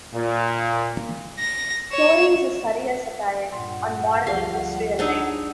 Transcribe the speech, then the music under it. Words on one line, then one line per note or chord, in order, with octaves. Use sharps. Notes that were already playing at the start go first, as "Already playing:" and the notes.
The story is a surreal satire on modern industrial life.
A#2
A#6
C#5 E7
G2 A#2 F#5 C6
D2 F3 G3 G4 G#4 D5 F5
D4 D#4 G#4 C5 D5 E6